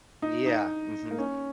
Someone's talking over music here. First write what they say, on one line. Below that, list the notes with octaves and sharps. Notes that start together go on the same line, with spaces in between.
Yeah. Mhm.
D#4
D#4
A#3
C#4